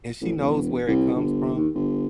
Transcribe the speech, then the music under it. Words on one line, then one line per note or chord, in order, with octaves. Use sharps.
and she knows where it comes from,
A1
E1
C2
G1
D#2
G1